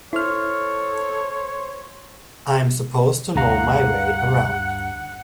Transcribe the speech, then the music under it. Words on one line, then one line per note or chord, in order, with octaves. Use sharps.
I'm supposed to know my way around.
E4 A4 C5 C#5 F6
D2 G2 F5 F#5 A#5